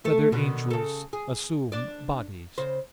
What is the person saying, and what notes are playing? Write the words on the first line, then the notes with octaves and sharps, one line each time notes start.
Whether Angels Assume Bodies?
A3 A4
B2 D3 D#3
C#3 A4
G#4
D4 D5
C#3 C5